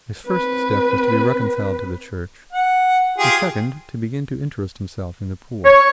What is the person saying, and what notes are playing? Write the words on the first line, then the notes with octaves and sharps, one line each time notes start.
His first step was to be reconciled to the Church, his second to begin to interest himself in the poor.
C4 B4
F#5
F4 G4 G#4
C#5